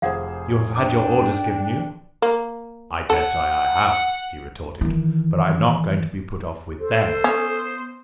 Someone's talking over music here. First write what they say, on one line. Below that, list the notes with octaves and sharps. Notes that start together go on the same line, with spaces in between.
You have had your orders given you.' 'I daresay I have,' he retorted, 'but I am not going to be put off with THEM.
F1 G#4 C5 F5 F#5
D4 G5 D6
A#3
A4 F#5
D#3 E3
A4 C5
B3 C#4 D#6